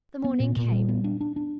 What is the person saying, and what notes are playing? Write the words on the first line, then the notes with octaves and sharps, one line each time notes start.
The morning came.
B3
A#2
A#2
G3
B3
D4
D4
D4